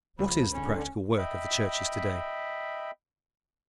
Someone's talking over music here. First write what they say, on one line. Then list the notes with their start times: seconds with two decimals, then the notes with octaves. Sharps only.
What is the practical work of the churches to-day?
0.19 C#2 F3 B5
0.53 D3 C#4
1.18 D#5 E5 G5 B5